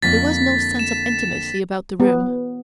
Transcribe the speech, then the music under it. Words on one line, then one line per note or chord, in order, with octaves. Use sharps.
There was no sense of intimacy about the room.
F2 D3 A#3 A6 B6
E7
B3